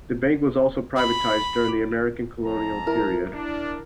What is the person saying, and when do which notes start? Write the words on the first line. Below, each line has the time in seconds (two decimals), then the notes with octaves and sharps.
The bank was also privatized during the American colonial period.
0.96 B5
2.43 F2 A5 A#5
2.87 E4 A#4
3.34 D4